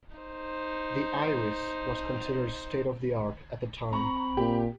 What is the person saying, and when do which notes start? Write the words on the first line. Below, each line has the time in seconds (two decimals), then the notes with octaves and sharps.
The Iris was considered state-of-the-art at the time.
0.16 D#4 C5
3.93 C4 A#5 B5 C#6
4.37 A#2 G4